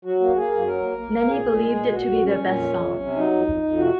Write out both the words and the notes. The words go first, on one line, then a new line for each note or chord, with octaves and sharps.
Many believed it to be their best song.
F#3 F#4
A#3
A#3 G#4
F#2
F#3 A#4
A#3
A#3
A#3
A#2 G#4
A#2
G#3
A#2
A#2 F#4
A#2
A#2 C#4
A#2
F2
F2
C3
C3
F#3 D#4
F2
F2
F2
C3 F#4